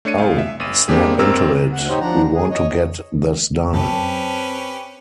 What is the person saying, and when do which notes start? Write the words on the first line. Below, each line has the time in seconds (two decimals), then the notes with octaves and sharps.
Oh, snap into it! We want to get this done.
0.05 A3 D4 C#5 C#7 D#7
0.18 C2 F5
0.38 E5
0.60 G1 D#7
0.88 G3 A#3 C4 D4 G4 G#4
1.19 G1 C4 A#4 E6
1.72 D2 F#5
1.89 D#4 G4 C5 C#5
2.01 F3 D4 F#5 A#5
2.35 G#4
2.51 C#5 D#5
3.74 F#2 C4 C#4 G4 B4 A5